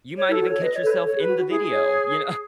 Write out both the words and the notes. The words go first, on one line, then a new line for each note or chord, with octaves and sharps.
You might even catch yourself in the video, you
C#5
E4
A4
F#4
A4 C#5
B4 D#5
C#5
A4
B4
C#5
A4 C#5
G#4
B4
F#4
F#4
E4 G#4
C#5